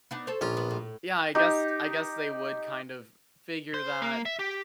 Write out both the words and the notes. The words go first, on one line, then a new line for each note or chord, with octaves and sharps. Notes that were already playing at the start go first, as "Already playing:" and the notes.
yeah, I guess I guess they would kind of figure that.
B3 D4 D#4
A4 C5 C#5
A#1 C#4 F4
B3
A2
D#4 G4
C5
A#3
E5
G4